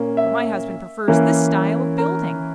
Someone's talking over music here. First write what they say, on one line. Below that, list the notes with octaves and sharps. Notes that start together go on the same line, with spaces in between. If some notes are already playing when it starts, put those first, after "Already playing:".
"But my husband prefers this style of building."
Already playing: A#2 A#3 C#4
E5
E3 A#3 C#4
A#4